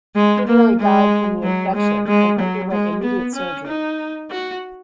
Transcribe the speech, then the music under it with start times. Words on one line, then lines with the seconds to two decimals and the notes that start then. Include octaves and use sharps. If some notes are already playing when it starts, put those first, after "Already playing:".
He nearly died from the infection, and underwent immediate surgery.
0.15 G#3
0.47 A#3
0.79 G#3
1.43 F#3
1.75 G#3
2.07 G#3
2.39 F#3
2.71 G#3
3.03 B3
3.35 C#4
3.66 D#4
4.30 F#4